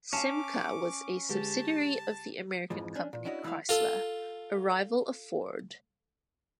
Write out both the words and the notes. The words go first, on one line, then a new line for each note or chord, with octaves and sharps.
Simca was a subsidiary of the American company Chrysler, a rival of Ford.
C#4 F5 A5 D6
D3 G#3 G4 G#4 A5
F2 G#2 E3 F3
C#4 D4
A#2
C#4 D4 E4 F#4 C#5 D#5
C#2 E3 E4 F#4 E5 F5
F4 A4